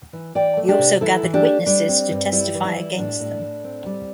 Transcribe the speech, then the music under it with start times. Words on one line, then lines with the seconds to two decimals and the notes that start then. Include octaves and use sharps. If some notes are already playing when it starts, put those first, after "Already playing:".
He also gathered witnesses to testify against them.
0.13 E3
0.35 E3 D5 G5
0.57 A3
0.68 D4 G4
0.79 C3
1.01 E3 E4 A4
1.23 E3
1.34 D4 G4
1.45 A3
1.66 G3 D4
1.89 C4
2.10 G2
2.32 G3 E4
2.54 E3
2.65 E4
2.77 G3
2.98 A2 D4
3.20 A2
3.41 A2
3.64 C4
3.86 G3